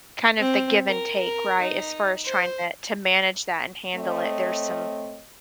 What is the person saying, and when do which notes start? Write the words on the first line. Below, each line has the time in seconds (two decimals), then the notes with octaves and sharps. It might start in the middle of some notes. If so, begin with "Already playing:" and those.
Kind of the give and take, right? As far as trying to to manage that and handle it, there's some
0.39 C4
0.87 A#4
1.16 A#4
1.60 D#4
2.26 C5
3.96 A3 C4 C#5 D#5